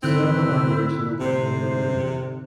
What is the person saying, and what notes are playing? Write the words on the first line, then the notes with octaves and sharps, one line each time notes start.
Several Aboriginal people were wounded.
G#2 D3 C4 E4 F#6
C3 C5